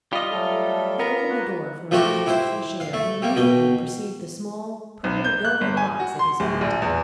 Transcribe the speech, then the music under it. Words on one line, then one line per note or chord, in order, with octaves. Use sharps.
He opened the door for a breath of fresh air, and immediately perceived the small, purple velvet box at his feet.
G3 F4 D#5
F#3 A3 A4
B3 A#4
A#3 F#4 F#5
F3 A3 F#4 G4 A#4
E4 G4 C5
F5
A3
G3 A#3
B2 G5
B1
G6
F#6
G1
G#5
F#4
C6
D1
A#1
E2